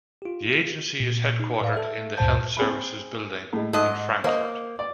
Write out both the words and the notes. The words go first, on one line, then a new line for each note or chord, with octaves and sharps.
The agency is headquartered in the Health Services Building in Frankfort.
F4 G4
A#2
D#4
A2 B4 D5 F5
A4 E5
D2 G2 A#2 C5 A5 G6
C4 G#4 B5
A2 G#3
G#2 A4 D#5
A#3 C5 D#5
D5